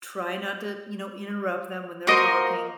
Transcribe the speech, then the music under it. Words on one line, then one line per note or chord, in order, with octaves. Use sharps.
try not to, you know, interrupt them when they're talking.
A#3 F#4 A#4 C5 D#5